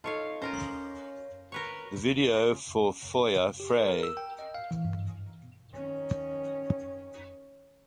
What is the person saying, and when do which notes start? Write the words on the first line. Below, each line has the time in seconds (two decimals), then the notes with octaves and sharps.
The video for Feuer frei!
0.04 D#4 F4 A4 C#5 F5
0.42 C#4 F4 A#4 C5 A#6
1.52 A#4 B4 C#5
3.60 G4
3.72 A#4
3.87 A#4
4.03 E6
4.17 G5
4.39 D#5
4.54 F5
4.71 E3
4.85 G2
5.72 D#3 C#4